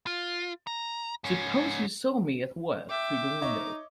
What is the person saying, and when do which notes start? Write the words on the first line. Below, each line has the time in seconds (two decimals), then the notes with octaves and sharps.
Suppose you saw me at work through the window.
0.07 F4
0.67 A#5
1.24 G#2 C#4
2.90 E5 G5 D6
3.41 D#4 C#5 D#5 C#6